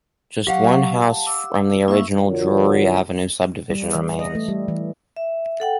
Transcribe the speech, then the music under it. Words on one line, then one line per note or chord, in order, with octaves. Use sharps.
Just one house from the original Drewry Avenue subdivision remains.
F#3 G4 F5 F#5 C#6
A5
D6 E6
A#3 E4 E5 C#6
D3 F3 F4 F#4 A#4 C#5
G3
E3
D#5
A3
G3
E3
E5
A4 F#5 G5